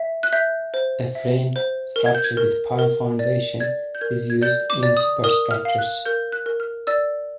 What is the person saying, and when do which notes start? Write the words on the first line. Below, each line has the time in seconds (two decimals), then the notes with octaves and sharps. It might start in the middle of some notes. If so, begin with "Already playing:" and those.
A framed structure with pile foundation is used in the superstructures.
Already playing: E5
0.23 F#6
0.33 E5 G6
0.74 C5
1.15 E5
1.56 C5
1.96 A#4
2.06 G#6
2.15 G6
2.24 G#6
2.37 A#4
2.79 A#4
3.19 D5
3.60 D5 G#6
3.95 G6
4.01 A#4 G#6
4.30 G#6
4.42 D5 G6
4.70 D6
4.83 D5
4.97 D#6
5.24 A#4 D#6
5.51 F6
5.65 F5
5.78 F#6
6.05 A#4 G6
6.32 F#6
6.46 A#4
6.60 F6
6.87 D5 E6